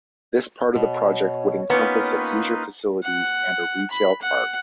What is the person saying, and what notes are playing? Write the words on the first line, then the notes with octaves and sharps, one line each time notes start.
This part of the project would encompass of leisure facilities and a retail park.
B2 C#5
A#3 B3 C#4 D#4 F4 G4 B4
F#5
B5
F#5